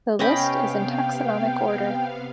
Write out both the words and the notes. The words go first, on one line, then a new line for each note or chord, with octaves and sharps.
The list is in taxonomic order.
C3 B3 C#4 D#5 F5 G5 B5